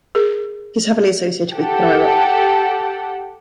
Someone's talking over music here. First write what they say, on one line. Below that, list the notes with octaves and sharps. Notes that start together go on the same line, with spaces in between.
He is heavily associated with Pinoy rock.
G#4 A#4
G4 A4 F#5